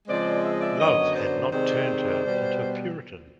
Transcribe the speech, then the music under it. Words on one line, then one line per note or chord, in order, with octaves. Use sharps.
Love had not turned her into a Puritan.
C#3 F3 G#3 C4 C5 D5
E5
D#5
D5 E5
F#2 D3 F#3 B3 C#5 D#5
C5 D5
C3 D#3 G#3 C4 C5 D5
B2 G3 B3